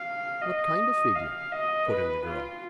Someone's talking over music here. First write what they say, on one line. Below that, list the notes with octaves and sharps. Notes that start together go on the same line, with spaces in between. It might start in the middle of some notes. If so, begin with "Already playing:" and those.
"What kind of figure?" put in the girl.
Already playing: F5
D#5
F5
D#5
B4
F4